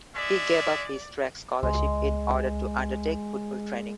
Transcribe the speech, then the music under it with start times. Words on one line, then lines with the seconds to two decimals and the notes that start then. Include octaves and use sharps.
He gave up his track scholarship in order to undertake football training.
0.15 G#3 D5 E5
1.63 C#2 G#3